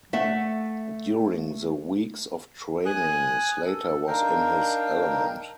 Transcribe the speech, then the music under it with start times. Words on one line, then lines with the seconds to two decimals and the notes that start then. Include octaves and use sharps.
During the weeks of training, Slater was in his element.
0.13 A3 E5 F#5
2.86 G#5 D#6 F#6
3.66 A4
4.07 D4 D#4 A#4 F5 G5